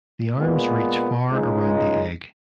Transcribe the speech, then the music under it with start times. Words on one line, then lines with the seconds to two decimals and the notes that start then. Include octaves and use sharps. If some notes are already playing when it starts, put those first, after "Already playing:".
The arms reach far around the egg.
0.37 A#2 G#3 B3
1.30 C#2 C#3 G#3 D#4